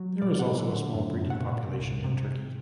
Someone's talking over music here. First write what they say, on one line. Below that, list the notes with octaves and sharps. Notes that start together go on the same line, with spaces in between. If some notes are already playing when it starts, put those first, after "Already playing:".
There is also a small breeding population in Turkey.
Already playing: F#3
A#2 D5
F#5
D3
F#2
A#2 F#5
C2
C3